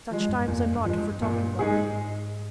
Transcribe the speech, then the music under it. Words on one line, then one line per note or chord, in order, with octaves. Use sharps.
Such times are not for talking of.
F3 G#3
G2
G2
F2 A#2
G2
F3 G#3
G2
G2 A#2
G#2 G#3 D#4 G#4